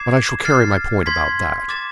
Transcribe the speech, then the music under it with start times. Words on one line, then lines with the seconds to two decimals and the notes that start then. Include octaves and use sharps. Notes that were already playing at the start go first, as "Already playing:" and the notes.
But I shall carry my point about that.
Already playing: D6 G#6 C7 E7
0.45 F6 A6 C7
1.06 C6 G#6 B6
1.69 D6 A6 E7